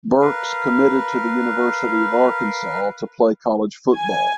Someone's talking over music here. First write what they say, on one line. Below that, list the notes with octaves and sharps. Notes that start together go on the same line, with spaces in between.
Burks committed to the University of Arkansas to play college football.
A#4 B4 F5
G#5